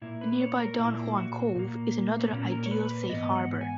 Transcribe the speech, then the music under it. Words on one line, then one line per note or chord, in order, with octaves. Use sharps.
The nearby Don Juan Cove is another ideal safe harbor.
A#2 A#3 E4
B4
B4
C#5
A#4
D#4
A#2 A#3 E4
F#4
A#2 A#3
B3
A#2 A#3 C#4
A#4
C#5
B4
B4
G#2 E3 B3 D#5
F#5
G#5